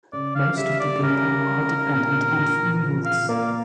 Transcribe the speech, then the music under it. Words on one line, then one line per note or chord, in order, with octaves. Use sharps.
Most of the people are dependent on fields.
C#3 D5
F5
G3 E5
D5
C#3 A#4
G3
A#2
A#2
F3
F5
A#3 D5